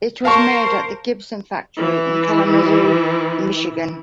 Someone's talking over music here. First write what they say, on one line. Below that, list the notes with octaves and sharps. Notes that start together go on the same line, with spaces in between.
It was made at the Gibson Factory in Kalamazoo, Michigan.
A#4 C5 F5 A5 C#6
E3 E4